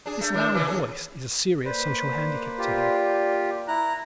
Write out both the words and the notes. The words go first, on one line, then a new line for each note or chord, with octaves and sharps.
This loud voice is a serious social handicap to him.
D4 G#4
A3
A2 D#3 D4
D#3 E3 C#4
D#2 G#4
A#3 B4 C5 D5
F4 G4
E4 A#5 F#6